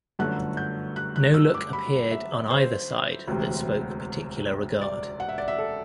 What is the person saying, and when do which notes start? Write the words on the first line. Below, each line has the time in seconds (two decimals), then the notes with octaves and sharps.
No look appeared on either side that spoke particular regard.
0.19 G1 F#2 D3 F#3 A3 F#6
0.57 G6
0.96 F#6
1.16 F#6
1.34 E6
1.54 D6
1.73 B5
2.11 E5
2.50 C5
3.27 E1 D2 C3
4.81 D5
5.20 F#5
5.29 E5
5.38 D5
5.48 E5
5.58 A4